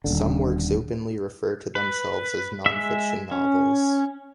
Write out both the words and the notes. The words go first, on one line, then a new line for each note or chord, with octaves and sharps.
Some works openly refer to themselves as 'nonfiction novels.
D#1 G#1 D3
B4
G#3 E5
C#4